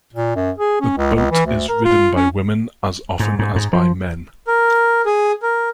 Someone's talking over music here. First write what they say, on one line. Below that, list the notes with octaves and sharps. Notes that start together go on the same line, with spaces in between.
The boat is ridden by women as often as by men.
A#2
F#2
G#4
C#4
C#2
C#2
E3
D2
A#4
F4
C#4
G#2
G#2
G#2
F3
A#4
G#4
A#4